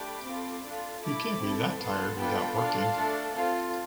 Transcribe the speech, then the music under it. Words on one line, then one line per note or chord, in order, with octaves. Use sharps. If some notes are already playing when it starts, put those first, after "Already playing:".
You can’t be that tired without working.
Already playing: A3 D4 G4 B5 D6
C4 F4 A4
D4 F4 A4
A3 E4 A4 B5 D6
C4 E4 A4
B3 F4 A4 A5 C6
B3 D4 F4 A4 G5 B5
D4 F4 A4 F5 A5
A3 D4 A4
C4 F4 A4